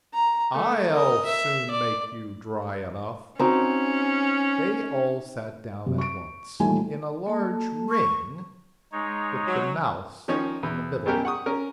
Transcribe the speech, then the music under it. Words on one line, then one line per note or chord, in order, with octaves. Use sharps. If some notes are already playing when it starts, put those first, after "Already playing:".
I'LL soon make you dry enough!' They all sat down at once, in a large ring, with the Mouse in the middle.
A#5
A3
A#4 D#5
E5
D5
C4 C#4 D#4 F#4
F#2 C3
C#6 D7
A#1 D#3 E3 G3 A3 G#5
A#3 A4 A5
C#6
G#3 D#4 C#5
F#3
D#3 F3 C#4 D#4 C#5
E2
F#2 B2 G4 A#4
F#5 C#6 D#6
C#4 A#4